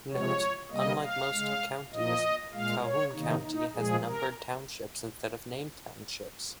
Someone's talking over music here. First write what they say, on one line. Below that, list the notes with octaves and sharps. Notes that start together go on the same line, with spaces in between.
Note: Unlike most counties, Calhoun County has numbered townships instead of named townships.
C3 F3 G#3 C#5
C3 G3 A#3 D#5
F5
G#3
C#3
A#2 F3 A#3 D#5
A#2 G#3 F5
C#5
C3 D#3 A#3 D#4
D#4
A#2 F3 G#3 G#4
A#4